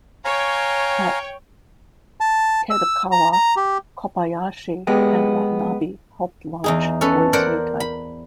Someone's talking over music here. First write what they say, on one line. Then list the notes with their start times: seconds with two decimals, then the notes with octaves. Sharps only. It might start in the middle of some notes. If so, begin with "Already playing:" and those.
At Kadokawa, Kobayashi and Watanabe helped launch "Voice Newtype".
0.25 C#5 F5 G5 G#5 A#5
2.20 A5
2.70 E6
3.12 A#5
3.33 A#5
3.57 G4
4.87 G#3 B3 G4
6.64 E2 D#4 G#4
7.01 C#4 A4 B4
7.33 A#4 C5 D5 F#5
7.80 B5